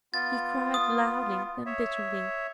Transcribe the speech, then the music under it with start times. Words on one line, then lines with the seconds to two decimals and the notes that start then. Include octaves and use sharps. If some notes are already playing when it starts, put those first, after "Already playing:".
He cried loudly and bitterly.
0.14 B3 F4 A6
0.74 D#6
1.66 C#5 E5